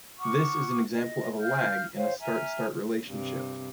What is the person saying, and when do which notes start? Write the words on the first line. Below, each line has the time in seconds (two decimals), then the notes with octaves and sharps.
This is an example of a "lag" in a Start-Start relationship.
0.19 F#5 C#6 D6 F6
0.93 D#5
1.39 F5 F6 G6
1.94 C5 C#5 F5 G5
2.20 E5 G#5 A#5 F6
3.07 G2 C3